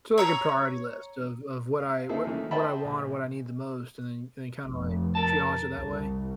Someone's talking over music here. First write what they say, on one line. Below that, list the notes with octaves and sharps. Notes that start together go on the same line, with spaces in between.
So, like a priority list of of what I what what I want or what I need the most and then and then kind of, like, triage it that way?
C#5 A#5 E6
F5
A#3 C4 D#4 E4 G#4 A4
D#3 E3 A3 A#3 C#4 E4
C5 D#5 E5 G5 A5 B5
A#1
F1
A#4 A5
C2